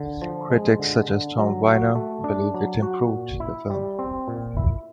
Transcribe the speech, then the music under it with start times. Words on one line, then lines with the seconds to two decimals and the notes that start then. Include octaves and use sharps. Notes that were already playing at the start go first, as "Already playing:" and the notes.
Critics such as Tom Wiener believe it improved the film.
Already playing: D3
0.22 F3
0.50 G#3
0.79 D3
1.08 D3
1.38 F#3
1.67 F#4
1.95 A3
2.24 D4
2.54 F#3
2.82 F#4
3.12 A#2
3.40 E4
3.70 G3
3.99 C4
4.28 A#2
4.57 E4